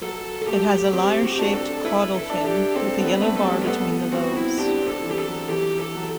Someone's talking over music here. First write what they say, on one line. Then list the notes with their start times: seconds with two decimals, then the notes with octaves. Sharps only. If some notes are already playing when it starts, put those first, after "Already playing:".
It has a lyre shaped caudal fin with a yellow bar between the lobes.
0.02 F#3 A4
0.42 A4
0.47 A3 G4
0.93 C4 G4
1.24 F#4
1.33 G4
1.39 D4 F#4
1.54 A4
1.85 E4 B4
2.15 A4
2.30 D4
2.45 G4
2.75 C4 A4
2.99 B3
3.06 B4
3.21 A3
3.36 A4
3.44 G3
3.61 B4
3.67 B3 A4
4.12 C4 F#4
4.36 E4
4.58 D4 G4
4.81 C4
4.88 A4
5.04 E3
5.11 G4
5.19 A4
5.27 F#3
5.49 E3 G4
5.80 A4
5.95 F#3